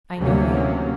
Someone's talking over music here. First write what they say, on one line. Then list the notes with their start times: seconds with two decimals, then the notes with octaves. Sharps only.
I know you.
0.19 D2 C3 F#3 A#3 C#4